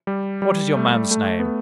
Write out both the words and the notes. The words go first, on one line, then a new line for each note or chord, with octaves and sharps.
What is your man's name?
G3
G3
A3
A3
B3
A3